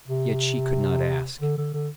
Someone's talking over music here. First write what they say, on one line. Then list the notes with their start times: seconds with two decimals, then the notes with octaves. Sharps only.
Yet she could not ask.
0.08 C3
1.41 D3
1.57 D3
1.74 D3